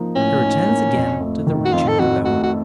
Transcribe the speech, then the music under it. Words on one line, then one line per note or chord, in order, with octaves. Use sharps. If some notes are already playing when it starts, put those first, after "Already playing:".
He returns again to the region below.
Already playing: F3 A#3 D#4
A2 C#4
D#4
A#3
F2
A3
D#3
F#4
F2 F4
A4
F2 F#4
A3 F#4
F#4